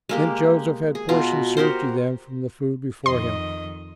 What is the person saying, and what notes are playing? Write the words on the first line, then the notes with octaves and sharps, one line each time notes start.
Then Joseph had portions served to them from the food before him.
G#3 A#3 G4
G#4
B2 F4 A#5
F#4 G4 A#4 C5
F2 D#3 D#5 C6